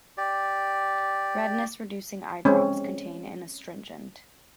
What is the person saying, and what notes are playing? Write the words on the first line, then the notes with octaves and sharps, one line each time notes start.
Redness-reducing eye drops contain an astringent.
G4 D5
G#3 C4 C#4